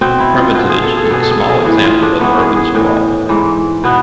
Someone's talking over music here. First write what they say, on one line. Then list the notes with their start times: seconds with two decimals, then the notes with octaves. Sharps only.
Hermitage is a small example of urban sprawl.
0.01 B2 C4
0.20 E4
0.38 F4
0.55 B2 F4
0.69 G#4
0.84 A4
0.97 G#4
1.05 A4
1.11 B2 G#4
1.23 A4
1.31 G#4
1.40 A4
1.49 G#4
1.65 A2 E3 G#4
1.84 F4
2.02 D4
2.20 G#2 E3 B3
2.39 G#4
2.56 G#4
2.75 A2 E3
3.29 G#2 E3
3.84 B2 B3